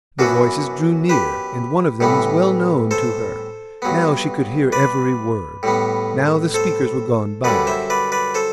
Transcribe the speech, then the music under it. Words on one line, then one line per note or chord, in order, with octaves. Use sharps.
The voices drew near, and one of them was well known to her; now she could hear every word; now the speakers were gone by.
F#2 E3 B3 D4 F#4
G4 B4
A2 E3 G3 B3
A4 C5
G2 F#3 B3
B4 D5
A2 G3 B3
A4 C5
F#2 D3 G3 B4 D5
C5 E5
B4 D5
B4 D5
A4 C5